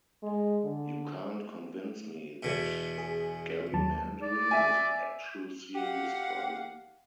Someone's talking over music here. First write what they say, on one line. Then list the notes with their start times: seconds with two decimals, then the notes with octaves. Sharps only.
You can’t convince me that gerrymandering is an actual serious problem.
0.23 G#3
0.64 D3
2.43 E2 B2
2.98 G#4
3.73 D#2 F#3 A5
4.22 D5
4.51 E5 G#5
5.75 G4 F5 F#5